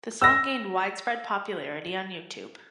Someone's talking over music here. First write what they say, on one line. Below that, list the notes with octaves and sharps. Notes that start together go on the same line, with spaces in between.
The song gained widespread popularity on YouTube.
E6 A#6